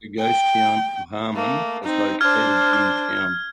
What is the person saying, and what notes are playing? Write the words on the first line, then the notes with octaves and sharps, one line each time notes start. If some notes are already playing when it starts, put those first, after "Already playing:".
The ghost town of Harmon was located in the town.
G5
A3 A#3
C4 D#4
D4 C5 F6 G#6
F6